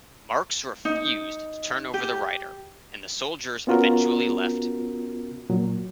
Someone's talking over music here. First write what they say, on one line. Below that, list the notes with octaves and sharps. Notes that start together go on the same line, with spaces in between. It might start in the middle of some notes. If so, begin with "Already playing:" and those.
Marx refused to turn over the writer, and the soldiers eventually left.
D#4
G4
B3 C#4 F4 F#4 A#4
A#2 F#3